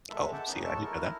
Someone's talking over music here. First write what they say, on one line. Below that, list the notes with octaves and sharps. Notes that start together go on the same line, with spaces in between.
Oh, see, I didn't know that.
B2 D#3 G#3 A4 E5
E5 F#5 G5 A5 D6
D#3 B3 C#4 D#4
D#2 F#3 G#3 A4 A5 C#6
D#4 E4 A#4